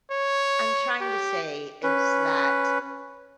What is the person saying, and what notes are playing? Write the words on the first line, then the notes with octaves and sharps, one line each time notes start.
I'm trying to say is that,
C#5
G4
C#4 B4